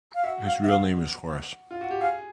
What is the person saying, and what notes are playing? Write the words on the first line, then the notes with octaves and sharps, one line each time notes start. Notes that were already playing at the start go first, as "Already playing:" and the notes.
His real name is Horace.
F5
F#4 E5
F5
E5
F5
F4
F#4
G4
G#4 F5